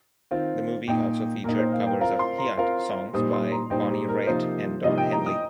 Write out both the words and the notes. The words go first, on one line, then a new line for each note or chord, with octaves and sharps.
The movie also featured covers of Hiatt songs by Bonnie Raitt and Don Henley.
D#3 C4 F4
A#2 A#3 D#4 G5
A#2 A#3 D#4 A#4
C5
F5
G5
C4 F4 A#4 F5 A#5
C6
A#5
C4 F4 A#4 F5
A#2 G3 D#4 C5 D#6
C6
A#5
A#2 G3 D#4 C5 G5
G4
A#4
C3 F3 A#3 D#4 C5
C3 F3 A#3 D#4 D#5
G5
A#5
D#6